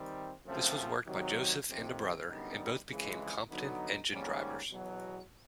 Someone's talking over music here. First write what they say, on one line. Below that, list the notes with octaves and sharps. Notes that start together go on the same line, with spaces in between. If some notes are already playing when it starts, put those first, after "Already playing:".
This was worked by Joseph and a brother and both became competent engine-drivers.
Already playing: D#3 G3 C4
F#2 C#3 F3 A3 C4
C3 D#3 F#3
F2 C3 D#3
F#2 D3 G3 B3 D#4
F2 C#3 E3 G#3
D3 F#3 B3 D#4
G#2 D#3 G3 A#3 C#4
E2 B2 F#3